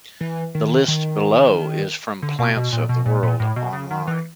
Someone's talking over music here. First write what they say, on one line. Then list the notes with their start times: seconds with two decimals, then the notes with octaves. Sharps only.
The list below is from "Plants of the World Online".
0.21 E3
0.55 D#3
0.88 D#3
2.22 D3
2.38 B2
2.56 B2
2.72 A#2
2.89 B2
3.06 A#2
3.23 A#2
3.40 A2
3.56 B2
3.73 C#3
3.91 D#3
4.07 E3